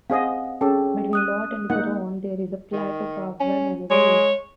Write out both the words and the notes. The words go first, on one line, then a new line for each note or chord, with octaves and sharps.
Between Lot and Garonne, there is a plateau carved by many valleys.
C4 G#4 D#5 F5 F#5
C#4 G#4 A4 G5
D#6 F#6 D#7
A#3 D#4 F#5
D#3
C#4
G#3 C#5